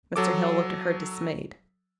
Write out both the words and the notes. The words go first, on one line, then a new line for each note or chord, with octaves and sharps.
Mr. Hale looked at her dismayed.
F#3 A4 D6